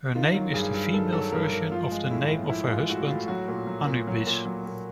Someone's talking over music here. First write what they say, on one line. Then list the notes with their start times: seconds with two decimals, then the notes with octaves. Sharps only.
Her name is the female version of the name of her husband, Anubis.
0.15 D#3 F4
0.34 F#3
0.54 G2 G#4
0.74 G2
0.93 D#3 A4
1.12 F#3 A4
1.32 G2 A#4
1.52 G2 A#4
1.72 F3 F4
1.91 G#3
2.10 A2 E4
2.31 A2
2.50 F3 E4
2.69 G#3 F4
2.90 A2 F#4
3.09 A2 F4
3.28 F#3 F#4
3.48 A#2
3.67 F#3
3.87 A#2
4.07 F#3
4.27 A#2
4.45 F#3
4.66 A#2